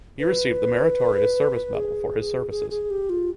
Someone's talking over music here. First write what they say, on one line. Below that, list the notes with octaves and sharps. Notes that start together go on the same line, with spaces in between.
He received the Meritorious Service Medal for his services.
B4
G#4
G#4
G#4
G4
F4